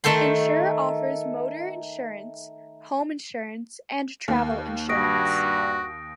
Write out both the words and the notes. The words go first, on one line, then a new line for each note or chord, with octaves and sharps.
Esure offers motor insurance, home insurance and travel insurance.
D#3 A3 A4 G5 C6
D#2
G2 F#4 D#6 A#6 D7